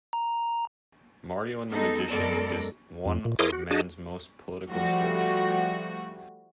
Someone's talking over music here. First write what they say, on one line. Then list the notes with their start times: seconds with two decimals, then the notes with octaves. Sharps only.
"Mario and the Magician" is one of Mann's most political stories.
0.13 A#5
1.71 G#3 B3 D#4 A4
2.10 F#2 G#3 B3 A4 A#4 D5
3.06 F2
3.25 A#2
3.39 E4 G#4 A#4 C6 D6 D#6
3.52 F#4
3.71 D4 F#4 G#4 D#5 A5
4.71 F3 G3 A3 F#4